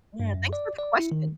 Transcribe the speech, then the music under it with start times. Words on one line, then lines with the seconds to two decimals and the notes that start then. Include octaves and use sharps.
Yeah. Thanks for the question.
0.20 G2
0.34 F#2
0.53 D5
0.79 D5
0.99 E4
1.12 D#3